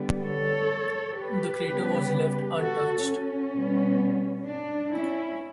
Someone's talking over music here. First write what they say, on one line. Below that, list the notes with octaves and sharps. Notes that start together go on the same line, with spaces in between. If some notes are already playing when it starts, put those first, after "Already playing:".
The crater was left untouched.
Already playing: D3 G3 B3
A4 C#5
G4 B4
C#3 G3 B3
F#4 A4
C#4
B2 G3 B3
D4
C#4 E4